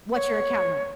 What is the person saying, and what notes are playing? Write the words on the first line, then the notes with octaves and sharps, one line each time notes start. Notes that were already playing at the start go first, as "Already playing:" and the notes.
What's your account number?"
C#5